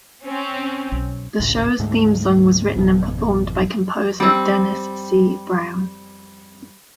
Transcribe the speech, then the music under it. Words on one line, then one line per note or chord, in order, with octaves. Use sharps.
The show's theme song was written and performed by composer Dennis C. Brown.
C4 C#4
B1
G#1 C#2 A2 C#3
D2 G#2 G#3 A3
G#1 F2 B2
G3 C4